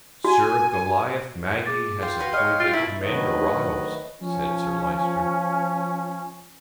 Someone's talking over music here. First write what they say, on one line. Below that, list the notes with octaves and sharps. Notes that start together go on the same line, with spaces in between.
"Sir Goliath Maggie has appointed Commander Ryles," said Sir Lyster.
F#4 G#5
G#4 D6 A6
F4 F5 G5 C6
F#4 B4
C#5 D#5 F6
F4 A6 D7
B2 A#3 E4
D2 D#3 F#3 A3 B4 D#5
F3 C#4